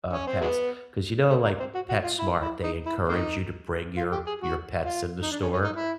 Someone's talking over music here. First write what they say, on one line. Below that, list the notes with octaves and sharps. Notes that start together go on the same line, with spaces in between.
uh, pets, 'cause, you know, like, PetSmart, they encourage you to bring your your pets in the store.
C#4
C4
F#3 G#3 B3
A3
A#3
C4
F#4
F#4
F4
E4
E4
D#4
E4
A#3 C4 D#4
F4
G4
G#4
F#4
F4
D#4
D4
C#4
C#4
D#4
E4